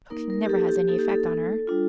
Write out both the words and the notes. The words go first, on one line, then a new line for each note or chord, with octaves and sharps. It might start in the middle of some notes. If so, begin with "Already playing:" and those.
"Coaxing never has any effect on her."
A#3 D#4 A#4
A#4
G4
A4
G4
A#3 D#4 A4
G4
A4
G3 D4 F4